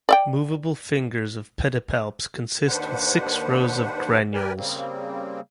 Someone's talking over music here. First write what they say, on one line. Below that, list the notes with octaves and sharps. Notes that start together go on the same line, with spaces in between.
Movable fingers of pedipalps consist with six rows of granules.
D5 E5 G5
D#2 D#3 D4 B4 C5 F#5
G4 A#4 B4 D5 G5 G#5
C#3 G3 A#3 C4